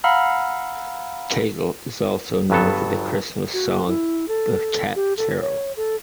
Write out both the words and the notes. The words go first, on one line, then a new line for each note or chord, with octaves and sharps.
Cadell is also known for the Christmas song "The Cat Carol".
F5 F#5 A#5 B5 E6 F6
G1 G2 F#3 B3 A4
F#4
E4
A4
G4
A4
C#5
A4